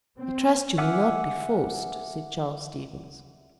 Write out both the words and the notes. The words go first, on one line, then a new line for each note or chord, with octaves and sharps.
"I trust you will not be forced," said Charles Stevens.
C4
E5 F#5 G#5 D6 F6